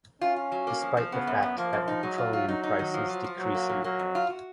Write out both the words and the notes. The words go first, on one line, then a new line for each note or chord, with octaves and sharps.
Despite the fact that the petroleum price is decreasing.
C#4 F4
F4
F#3
A#3
F3
F3
C#3 B3
F#2
F#2
F3 A#3
F#2
D#4
F#3 G#3
F4
F4
F#3 D#4
D#4
D#3
F3
F3
F3
A#2 F#3
A#3
A#2
F#3 A#3
F2
F4
F#4